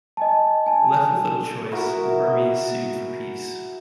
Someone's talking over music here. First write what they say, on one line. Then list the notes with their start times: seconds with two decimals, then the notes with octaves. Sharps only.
Left with little choice, the Burmese sued for peace.
0.17 D#5 G#5 A5
0.66 G#5 A5
1.72 E4 F#4 G#4 A#4